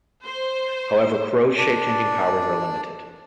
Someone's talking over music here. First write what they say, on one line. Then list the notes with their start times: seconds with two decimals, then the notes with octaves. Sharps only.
However, Kro's shape-changing powers are limited.
0.25 C5
1.57 D4 D5